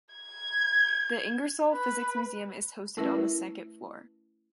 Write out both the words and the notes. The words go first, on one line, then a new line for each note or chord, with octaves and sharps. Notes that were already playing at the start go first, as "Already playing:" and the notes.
The Ingersoll Physics Museum is hosted on the second floor.
G#6
B4
A3 C#4 E4 A#4 B4 E5